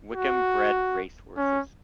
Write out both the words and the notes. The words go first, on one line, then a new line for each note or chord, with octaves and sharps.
Wickham bred racehorses.
F#4
C#4